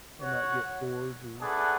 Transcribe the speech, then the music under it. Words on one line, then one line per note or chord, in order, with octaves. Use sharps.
And not get bored or
F#4 C#5 F#5
A3 D4 G#4 B4 F#5